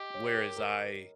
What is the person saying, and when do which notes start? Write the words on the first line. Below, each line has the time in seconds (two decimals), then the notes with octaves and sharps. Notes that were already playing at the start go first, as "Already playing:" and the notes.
whereas I
Already playing: G4 D#5
0.14 C#5
0.35 A#4
0.57 A#4